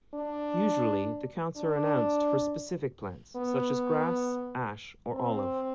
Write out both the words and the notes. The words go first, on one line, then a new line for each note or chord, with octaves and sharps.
Usually, the counts are announced for specific plants such as grass, ash, or olive.
D4
D4
B3
C4